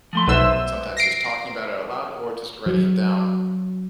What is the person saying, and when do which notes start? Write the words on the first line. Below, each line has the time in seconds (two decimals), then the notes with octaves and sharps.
sometimes just talking about it out loud or just writing it down
0.13 F3 A3 C6
0.28 B1 B4 C5 E5 E6
0.97 A#6 C7 D7
2.66 F#3